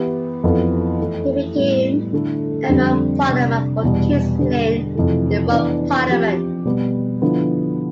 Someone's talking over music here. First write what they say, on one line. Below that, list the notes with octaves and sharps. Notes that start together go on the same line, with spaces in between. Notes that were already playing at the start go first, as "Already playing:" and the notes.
He became Member of Parliament for King's Lynn in the Rump Parliament.
Already playing: E3 B3 E4 G4
F2 E3 B3 F4 A4
E3 A3 E4
A2 G3 B3
D3 A3 E4 A4
F2 D3 G3 C4 G4
C3 G3 D4
E2 B2 G3
D3 G3 D4 G4
F2 C3 E3 A3
E3 B3 D4
F3 C4 G4
B2 G3 B3
D3 F3 B3 E4